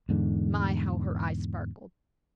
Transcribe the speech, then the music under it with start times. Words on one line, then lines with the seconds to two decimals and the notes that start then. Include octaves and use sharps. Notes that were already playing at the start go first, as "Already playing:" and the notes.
My, how her eyes sparkled!
0.09 E2 G#2 D3